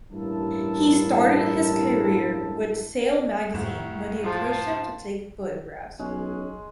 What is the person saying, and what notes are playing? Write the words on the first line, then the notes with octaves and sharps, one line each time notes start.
He started his career with "Sail Magazine" when they approached him to take photographs.
A1 G2 A#3 E4 A4 A5
C2 F2 A2 E7
F3 A5
B1 G#3 C#4